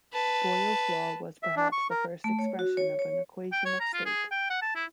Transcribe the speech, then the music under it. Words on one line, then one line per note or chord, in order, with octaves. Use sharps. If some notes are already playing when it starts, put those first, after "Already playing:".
Boyle's Law was perhaps the first expression of an equation of state.
B4 A5
E5
D4
C#6
A#4
A3
C#5
F#4
C#5
C#5
G5
C#5
A#5
F4
G#4
G5
F#5
A5
E4